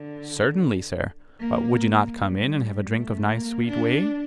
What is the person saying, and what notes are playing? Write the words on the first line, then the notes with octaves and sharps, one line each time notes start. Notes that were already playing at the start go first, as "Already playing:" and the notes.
"Certainly, sir; but would you not come in, and have a drink of nice sweet whey?"
Already playing: D3
A#3
G3
A3
A#3
D4